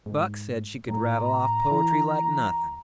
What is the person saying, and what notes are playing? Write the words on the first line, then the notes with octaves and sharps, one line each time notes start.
Buck said she could rattle off poetry like nothing.
G#2
A2 A#5
E3